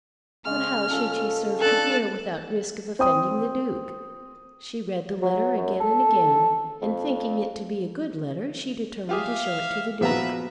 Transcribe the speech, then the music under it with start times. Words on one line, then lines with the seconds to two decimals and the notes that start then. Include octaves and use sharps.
But how should she serve Tregear without risk of offending the Duke? She read the letter again and again, and thinking it to be a good letter she determined to show it to the Duke.
0.45 C#3 G#3 C#6 F6
0.90 F3 C#4 A4
1.61 C4 D4 A4 F#6
2.99 C4 G5 D#6
5.22 F#3
5.58 F#2
5.80 A4
6.81 F2
9.09 F4 G4 G#4 E5 F5
10.01 A#2 F3 B3 F#4 B4 E5 F5 A#5